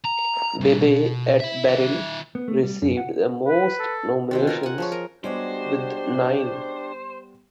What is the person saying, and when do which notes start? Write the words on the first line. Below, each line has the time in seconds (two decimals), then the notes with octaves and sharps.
Babae at Baril received the most nominations with nine.
0.05 A#5
0.61 A#2 G3
0.86 B2
1.40 E4 E5
1.64 D#3 E5
2.35 B3
2.48 A3
2.63 G3
2.82 F#2
2.97 F#5
3.45 B4
3.79 A4
4.31 B2 D#3 C4
4.47 F4 A#4 D#5
4.63 F#5 G#5
4.78 F3 G#4 C#5
4.92 A#4
5.24 G3 G#3 B3 C#4 D4 F#4 G4 C5